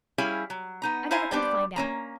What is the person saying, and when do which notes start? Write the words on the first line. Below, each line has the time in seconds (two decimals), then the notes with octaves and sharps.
I never could find out.
0.18 G3 C#4 E4 G#4 F5
0.50 F#3
0.82 B3 D#4 A#5
1.11 D#4 E4 C5 F5 G#5 A#5
1.31 G3 B3 D4 C5 D5 G5
1.76 A#3 C#4 A#5